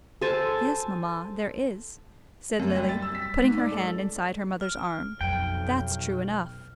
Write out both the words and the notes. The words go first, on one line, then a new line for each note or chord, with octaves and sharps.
"Yes, mamma, there is," said Lily, putting her hand inside her mother's arm, "that's true enough."
A4 C5 G#5 A5
F#2
G3
A6
E6
B6
G#2
D5
A4
F6
B1 F2 G5